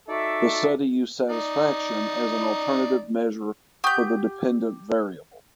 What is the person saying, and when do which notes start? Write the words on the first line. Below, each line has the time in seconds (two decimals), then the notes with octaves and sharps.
The study used satisfaction as an alternative measure for the dependent variable.
0.08 D#4 F#4 A4 D5 E5
1.29 D#4 D5
3.84 G4 F#5 C#6 D#6 G6